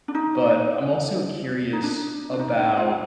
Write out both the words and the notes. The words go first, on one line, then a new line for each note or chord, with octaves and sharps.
But I'm also curious about
D4
D#4
D#4
D4
D4
D#4
D#4
F4